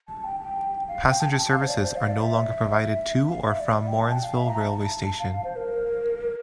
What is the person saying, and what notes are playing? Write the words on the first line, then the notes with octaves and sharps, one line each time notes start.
Passenger services are no longer provided to or from Morrinsville Railway Station.
A5
G5
G5
F5
G5
A5
G5
A5
F5
C5
D5
C5
F5
D5
E5
F5
E5
D5
E5
G5
A5
G5
F5
E5
A#5
A5
A5
F5
F5
C5
A#4